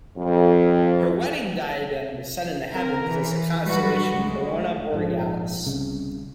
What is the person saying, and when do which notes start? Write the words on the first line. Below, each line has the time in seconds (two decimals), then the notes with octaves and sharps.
Her wedding diadem was set in the heavens as the constellation Corona Borealis.
0.17 F2
2.72 C4 A#4
3.04 E3
3.67 A#2 F#3 G3 F#4 B4
4.12 D2 G#3
4.92 A#1 G#2 B2 F3
5.66 C2 C#3